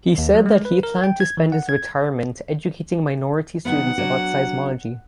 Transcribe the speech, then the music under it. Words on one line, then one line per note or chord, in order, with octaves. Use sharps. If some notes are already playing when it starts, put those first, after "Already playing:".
He said that he planned to spend his retirement educating minority students about seismology.
D#2
F#3
G#3
B4
A#4
G5
G#6
E3
F#5
G#6
D#3 F#3 B3 F#5
F#3 D4 F#4